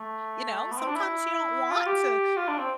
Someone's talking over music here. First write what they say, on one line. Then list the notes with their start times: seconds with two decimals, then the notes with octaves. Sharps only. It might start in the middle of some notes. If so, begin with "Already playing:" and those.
you know, sometimes you don't want to
Already playing: A3
0.71 B3
0.78 C4
0.87 D4
0.95 E4
1.70 F4
1.86 G4
2.37 F4
2.48 D4
2.59 C4